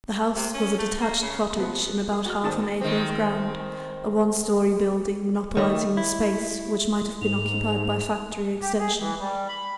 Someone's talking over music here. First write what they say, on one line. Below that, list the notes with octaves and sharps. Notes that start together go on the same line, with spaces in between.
The "house" was a detached cottage in about half an acre of ground, a one-storey building, monopolising the space which might have been occupied by factory extension.
C3
C#4
A3
A#3
C#3
C3 F3 B3
G#4
F#4 F6
G#2 D#3 C4 D5 A5
D#3 C4
D#3 A3 C#5 D#5
E4
G#2 F7
G4
G#4
E3
G3
B5